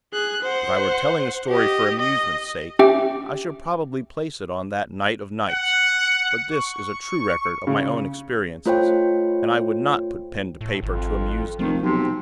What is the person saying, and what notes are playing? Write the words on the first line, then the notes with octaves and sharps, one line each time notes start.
If I were telling a story for amusement's sake, I should probably place it on that night of nights; but this is a true record of my own experiences, and I would not put pen to paper to amuse anyone.
G#4 F#6
C5 F#5
G4 D#5
D#5
C#4 G4 E5 G5 D6
F#5
C#6
C#3
A3 F4 C5 C#5 G5
A2
G#1 F2
F1 D#3 F3
B1 C3